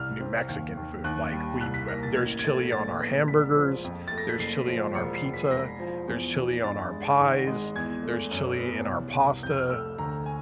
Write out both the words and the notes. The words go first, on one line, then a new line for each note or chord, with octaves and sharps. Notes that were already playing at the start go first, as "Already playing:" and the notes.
New Mexican food. Like, we w there's chili on our hamburgers, there's chili on our pizza, there's chili on our pies, there's chili in our pasta,
Already playing: C2 F6
C4
D#2
D#2
D#2 F#6
G3
C2 F#6
B6
A#3 A#6
A6
A1 G#6
G#6
A3 A6
A#1 A6
B3
E1 B6
F3
F2
A3 A6
A#6
B6
F#1 C7
F3
E1 C#7
C7
E1
B6
E1 A#6
F3
E2
E2
G2 A6
G#3
G#1
G#3
E2 G#6
A3
F#2
B3
C2
C2
F2 G6
F6
A3 E6
D2 A#5
G#5